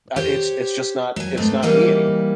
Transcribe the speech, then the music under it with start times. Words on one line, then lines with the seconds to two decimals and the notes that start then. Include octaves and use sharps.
"Uh, it's it's just not it's not me anymore."
0.16 G4 C5 C#5
1.16 F#3 G#5
1.37 G#2 A3 B3 C4
1.62 E3 G3 A#3 C4 D#4